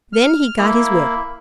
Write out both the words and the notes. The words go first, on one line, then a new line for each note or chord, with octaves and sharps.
Then he got his whip.
F6
A#3 E4